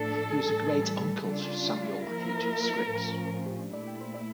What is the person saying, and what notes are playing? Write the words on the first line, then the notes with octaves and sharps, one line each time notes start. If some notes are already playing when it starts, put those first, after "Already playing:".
He was a great uncle to Samuel H. Scripps.
Already playing: A2 F3 A3 D4 A4
A2 E3 G3
C#3 G3 D4 F4
F3 A#3 E4 A#4
A2 F3 C#4
A#2 A3 E4